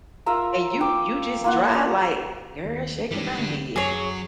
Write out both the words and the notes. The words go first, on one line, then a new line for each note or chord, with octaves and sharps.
And you you just dry like, "Girl, shaking my head.
F4 A#4 E5 A#5
G5 D6
A#3 F4 F#5
D4
D#2
G#2 E3 G3 D4
D2
F#2 F#3 G#4 C#5